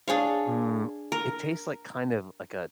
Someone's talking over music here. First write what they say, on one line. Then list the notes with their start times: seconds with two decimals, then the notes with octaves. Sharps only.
mm, it tastes like, kind of, like a
0.08 D4 G#4 C#5 F5
1.12 A#4